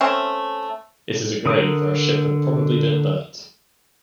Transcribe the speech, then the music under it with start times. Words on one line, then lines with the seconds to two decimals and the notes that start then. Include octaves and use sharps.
It is a grave where a ship had probably been burnt.
0.01 A3 C4 C#4
1.46 D3 A#4 D#6